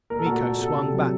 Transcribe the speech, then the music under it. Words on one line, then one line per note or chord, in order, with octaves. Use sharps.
Miko swung back.
A#2 A#4
A4
A#2 F#4
A4
A#2
C3 A4
C3
F#3